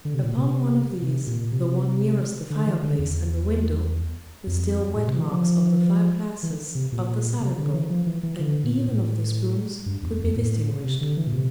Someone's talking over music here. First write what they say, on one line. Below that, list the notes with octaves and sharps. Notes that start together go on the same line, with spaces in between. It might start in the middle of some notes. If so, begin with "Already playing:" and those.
Upon one of these, the one nearest the fireplace and the window, the still wet marks of the five glasses, of the salad-bowl, and even of the spoons could be distinguished.
D3
C3
A#2
C3
C3
A#2
C3
D3
E3
D3
E2
F2
A2
C3
E3
F3
E3
C3
A#2
C3
D3
E3
F3
E3
E3
D3
A#2
A2
G2
E2
F2
A2
C3
D3
E3
A#2
C3